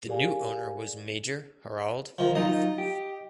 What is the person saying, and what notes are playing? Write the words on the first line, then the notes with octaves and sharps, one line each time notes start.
The new owner was major Harald Rothe.
G4 G#4 A#4 D5 F5 G#5
D#3 F3
F#3 D#4 F4 D#5
G4